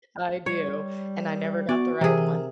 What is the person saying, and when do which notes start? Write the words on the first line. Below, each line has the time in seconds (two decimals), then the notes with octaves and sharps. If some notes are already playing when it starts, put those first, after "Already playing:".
I do, and I never got the right one.
0.46 G3 C#5
1.69 B3 F#4 D5
2.01 C3 E3 G#4 A#4